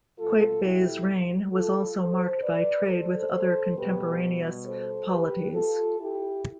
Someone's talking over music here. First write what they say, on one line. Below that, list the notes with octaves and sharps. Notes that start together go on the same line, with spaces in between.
Qaitbay's reign was also marked by trade with other contemporaneous polities.
B2 G3 F4 A4
E4 G4
F4 A4
A4 C5
B4 D5
A4 C5
A4 C5
B2 G3 G4 B4
A4 C5
G4 B4
F4 A4
E4 G4